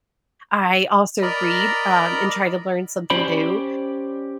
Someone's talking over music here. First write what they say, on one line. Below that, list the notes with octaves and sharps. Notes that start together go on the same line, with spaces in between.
I also read, um, and try to learn something new
A#4 D5 D#5 A#5 B5
C#4 G4 C5 D5 B5